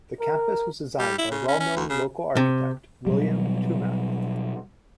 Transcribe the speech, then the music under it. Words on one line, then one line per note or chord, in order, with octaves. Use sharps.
The campus was designed by well-known local architect William Toomath.
A#4
G3
E4
C#3
C#4
C#4
D2
C#3
C3
B2 F#3 G3